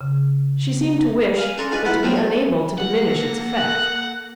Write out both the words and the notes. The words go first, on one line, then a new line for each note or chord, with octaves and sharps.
She seemed to wish, but to be unable, to diminish its effect.
C#3
F5 G#5
C#4 D4 A4 C#5 A#5 C6
D4 D#4 F4 G#4 B4
E4 F4 B4 F#5 B5
F3 F#3 A3 C4 D4
C#5
A#3 A4 F#5 A#6
F#6